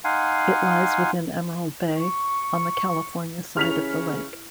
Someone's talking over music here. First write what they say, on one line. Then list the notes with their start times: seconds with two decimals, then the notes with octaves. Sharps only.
It lies within Emerald Bay, on the California side of the lake.
0.04 D#4 F5 F#5 G#5 C6
1.97 C#6
3.57 C#3 E3 C#4 E4 G4 F6 B6 F7